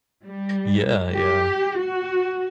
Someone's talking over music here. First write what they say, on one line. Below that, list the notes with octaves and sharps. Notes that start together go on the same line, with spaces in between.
Yeah, yeah.
G3
G4
F#4